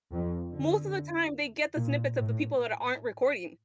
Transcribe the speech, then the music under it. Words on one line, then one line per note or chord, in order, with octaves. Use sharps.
most of the time they get the snippets of the people that aren't recording.
F2
D3
A#2
A2